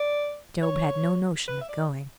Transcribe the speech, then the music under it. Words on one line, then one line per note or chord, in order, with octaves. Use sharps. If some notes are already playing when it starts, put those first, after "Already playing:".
But Job had no notion of going.
Already playing: D5
C#5
B4
E5
D5